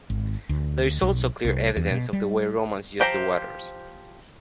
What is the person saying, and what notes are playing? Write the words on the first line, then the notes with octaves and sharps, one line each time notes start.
There is also clear evidence of the way Romans used the waters.
G#1
D2
B1
C2
E2
B2
G3
F3 G4 C5 A#5